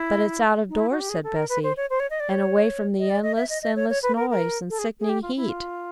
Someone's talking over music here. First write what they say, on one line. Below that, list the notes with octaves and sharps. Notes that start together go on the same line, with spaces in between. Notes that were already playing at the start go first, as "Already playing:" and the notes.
'But it's out of doors,' said Bessy. 'And away from the endless, endless noise, and sickening heat.'
Already playing: E4
D#4
E4
F#4
G4
G#4
A4
A#4
B4
C5
C#5
C5
C#5
D#5
D5
C#5
D#5
D5
D#5
E5
D#5
D#5
C#5
C#5
B4
A#4
A#4
A4
G#4
G#4
G4
F4
E4
F4